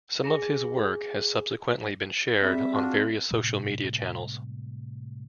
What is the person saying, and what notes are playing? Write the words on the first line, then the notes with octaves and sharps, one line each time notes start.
Some of this work has subsequently been shared on various social media channels.
G#4
G3 C4 G#4 E5 E6
D4 F4 F#4
A2 C3 G3 G#3